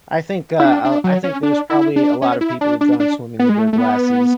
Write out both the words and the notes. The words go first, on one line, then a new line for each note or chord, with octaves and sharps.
I think, uh, a I think there's probably a lotta people who've gone swimming with their glasses,
E4
D4
D4
F#3
C#4
D4
E4
D4
C#4
E4
D4
D4
D4
B3
G#3
A3
A3
B3